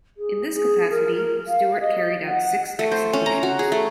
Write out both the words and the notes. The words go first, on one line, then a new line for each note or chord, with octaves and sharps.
In this capacity, Stewart carried out six executions.
G#4
G#4
A#4
A#4
F5
D#5
F#5
A3
C5
C#4
A#5
F#4
G#4
A3